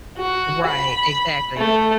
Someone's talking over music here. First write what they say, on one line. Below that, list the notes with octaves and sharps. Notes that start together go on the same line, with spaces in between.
Right, exactly.
F#4
B5
A3